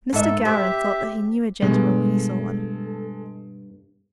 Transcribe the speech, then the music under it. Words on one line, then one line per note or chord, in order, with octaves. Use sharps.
Mr. Gowran thought that he knew a gentleman when he saw one.
G#2 A4 E5
C4 G4 E5
G2 B2 G#3 A4